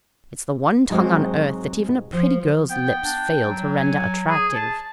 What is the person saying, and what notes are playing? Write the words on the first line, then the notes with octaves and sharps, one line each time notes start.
It's the one tongue on earth that even a pretty girl's lips fail to render attractive.
G#2 F#3 G#3 C4
F3
B3 G5
D4
F#3
G#5
G#4
A5